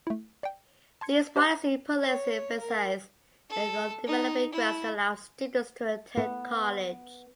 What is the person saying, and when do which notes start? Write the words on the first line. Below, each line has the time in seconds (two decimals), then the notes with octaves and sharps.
These policies put less emphasis on developing grants to allow students to attend college.
0.07 A3 E4
0.43 D5 G5
1.01 A5 C6 G#6 C#7
1.36 G4 C5 D#5 F#5 C6
2.02 C#5
2.60 A#4
3.50 A4
4.07 D#4
4.52 E4
6.17 B3